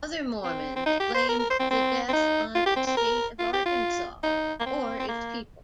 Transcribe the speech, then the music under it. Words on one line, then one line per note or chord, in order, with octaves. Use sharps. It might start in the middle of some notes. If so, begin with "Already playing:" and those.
Other Mormons blamed the death on the state of Arkansas, or its people.
C4
C4
D#4
G4
C5
A#4
A#4
C5
C4
C4
C4
D#4
F4
G4
C4
C4
A#4
F4
G4
F4
D#4
A#3
C4
C4
A#3